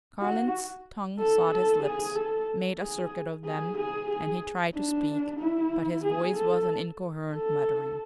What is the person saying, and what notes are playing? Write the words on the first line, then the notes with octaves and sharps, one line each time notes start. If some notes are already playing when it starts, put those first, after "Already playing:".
Carling's tongue sought his lips, made a circuit of them--and he tried to speak, but his voice was an incoherent muttering.
F#4
A4
A4
G#4
A4
G#4
G#4
G#4
G#4
D4
E4
G#4
A4
A4